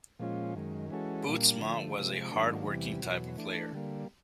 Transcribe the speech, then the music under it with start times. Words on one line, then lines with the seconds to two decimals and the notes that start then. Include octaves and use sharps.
Bootsma was a hard working type of player.
0.19 A#2 F3 G#3 C#4 F4
0.54 F#2 D#3 G#3
0.90 E3 G#3 C#4 F#4 A4
1.26 A#2 G3 A#3 D4
1.60 D3 F3 A3
1.96 C3 F3 G#3
2.31 G#2 D#3 F#3 A#3 D4
2.66 E2 C3 E3 G3
3.02 E2 B2 F#3
3.37 E3 A3 D4
3.72 D3 G3 A#3